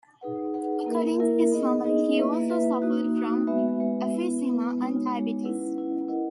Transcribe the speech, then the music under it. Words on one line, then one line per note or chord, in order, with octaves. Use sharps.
According to his family, he also suffered from emphysema and diabetes.
D#4 G#4 B4 F#5
D#4 G#4 B4 F#5
A#3 E4 A#4 E5
A#3 E4 A#4 E5
B3 D#4 G#4 D#5
B3 D#4 G#4 D#5
A#3 E4 B4 E5
A#3 E4 B4 E5
A#3 D#4 F#4
A#3 D#4 F#4
G#3 B3 F#4 B4 E5
G#3 B3 F#4 B4 E5
B3 E4 B4
B3 E4 B4
G#3 B3 D#4 F#4 C#5
G#3 B3 D#4 F#4 C#5
C#4 E4 B4 F#5
C#4 E4 B4 F#5
E4 A#4 D#5 F#5